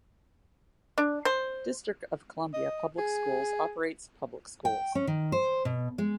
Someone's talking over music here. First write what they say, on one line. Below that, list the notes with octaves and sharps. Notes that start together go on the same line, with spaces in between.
District of Columbia Public Schools operates public schools.
D4
C5
D#5
G#4
G5
C#4
D#3
C5
B2
G#3